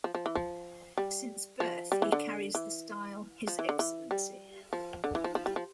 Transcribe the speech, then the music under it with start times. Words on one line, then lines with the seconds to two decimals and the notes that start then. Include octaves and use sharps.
Since birth he carries the style "His Excellency".
0.04 F3
0.15 F3
0.26 E3
0.35 F3
0.98 G3
1.60 F3
1.92 G3
2.02 E3
2.12 D3
2.55 E3
3.47 F3
3.59 E3
3.69 D3
3.79 E3
4.11 G3
4.73 F3
5.04 D3
5.15 E3
5.24 F3
5.35 F3
5.46 G3
5.56 F3